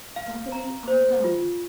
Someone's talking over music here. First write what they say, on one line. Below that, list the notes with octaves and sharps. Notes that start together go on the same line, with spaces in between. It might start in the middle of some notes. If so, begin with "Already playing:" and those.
Doubly undone!
F5
A#5
C5
F4